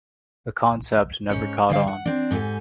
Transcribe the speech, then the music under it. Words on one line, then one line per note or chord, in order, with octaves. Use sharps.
The concept never caught on.
G#2 C#4 C#5
D3 G3 F5
F#5
C4 D4
G#2 D#4 G4 A4 G#5